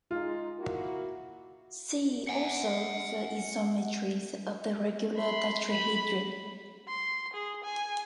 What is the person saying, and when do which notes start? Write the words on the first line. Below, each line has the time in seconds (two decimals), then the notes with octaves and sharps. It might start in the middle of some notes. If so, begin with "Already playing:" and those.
See also the isometries of the regular tetrahedron.
0.11 G#3 D#4 F4
0.59 A#3 E4 F#4
2.29 F#5 G#5
5.17 B5 C6
5.69 B5
6.88 C6
7.34 G#4
7.64 G#5